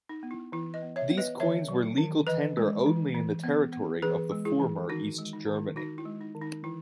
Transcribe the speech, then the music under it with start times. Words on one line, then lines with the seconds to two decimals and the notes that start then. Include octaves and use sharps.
These coins were legal tender only in the territory of the former East Germany.
0.09 D#4
0.23 B3
0.31 E4
0.52 E3 E4
0.74 B4 D#5
0.82 B3
0.96 C#5 E5
1.10 B3
1.17 B4 D#5
1.40 D#3 C#5 E5
1.69 F#3
1.97 D#3
2.27 E3 B4 D#5
2.57 G#3
2.86 E3
3.15 E3
3.44 B3
3.73 B3
4.02 E3 G#4 B4
4.32 G#3
4.45 E4 G#4
4.60 E3
4.89 D#3 D#4 F#4
5.18 G#3
5.33 D#4
5.47 D#3
5.55 E4
5.76 D#3 D#4 F#4
5.98 E4
6.05 G#3
6.21 D#4
6.35 D#3
6.42 D#4
6.64 E3 E4